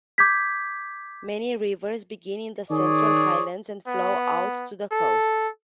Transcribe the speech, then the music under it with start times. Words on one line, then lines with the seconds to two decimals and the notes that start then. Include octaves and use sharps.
Many rivers begin in the Central Highlands and flow out to the coast.
0.18 D6 G6 G#6 B6
2.70 D#3 G#4 C#5 D5
3.88 B3
4.91 A4